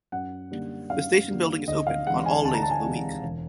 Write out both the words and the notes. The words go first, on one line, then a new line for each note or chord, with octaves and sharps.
The station building is open on all days of the week.
F#2 F#5
D3 G3 A#3
F#2 F5
D3 G3 A#3
D2 D#5
F5
C3 E3 G#3 F#5
G#5
D2 A5
A#5
A5
G#5
C3 E3 G#3
E1